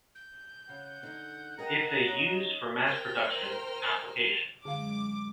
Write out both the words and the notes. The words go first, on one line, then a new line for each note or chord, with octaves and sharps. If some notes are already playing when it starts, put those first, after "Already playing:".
It's a used for mass production application.
G6
C#3 F#5
D3 D#4
G#4 A#4 D#5 G5 A#5
C#4 D#4 G#4
A#4 C5 G5 F6
F#2 D3 G#3 F5 D6